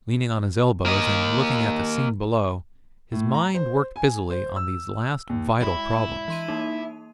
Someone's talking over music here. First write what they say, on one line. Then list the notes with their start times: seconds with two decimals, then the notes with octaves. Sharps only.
Leaning on his elbows and looking at the scene below, his mind worked busily on these last vital problems.
0.86 A#3 D#5
3.12 A2
3.34 A#5
3.54 C5
3.96 G#5
4.30 C5
4.56 E6
5.29 D#2
5.62 G#3 E4
6.28 E3 C6 D#7
6.48 A#3 D#4